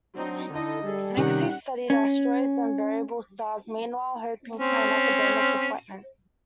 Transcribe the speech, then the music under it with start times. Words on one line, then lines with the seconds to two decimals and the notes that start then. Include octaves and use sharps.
Next he studied asteroids and variable stars, meanwhile hoping for an academic appointment.
0.15 F#3 C4 D4 D#4
0.51 D3 D#4 E4 A4 D#5
0.83 G3 G#4 A4
1.17 C3 D#3 C#4 G4 F#5
1.90 C#4
4.56 C4 C#4